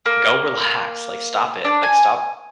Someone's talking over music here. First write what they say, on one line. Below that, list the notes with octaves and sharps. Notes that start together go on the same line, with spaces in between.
go relax. Like, stop it. Like, stop
A#3
D4
G#5